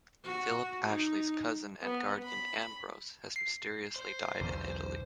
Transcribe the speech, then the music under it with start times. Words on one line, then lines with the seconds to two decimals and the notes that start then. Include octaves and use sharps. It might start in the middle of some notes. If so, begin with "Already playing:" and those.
Philip Ashley’s cousin and guardian Ambrose has mysteriously died in Italy.
0.24 F#4
0.88 D#4
1.81 B3
2.23 B5
3.36 C7
3.96 C5
4.41 B1 E2 D3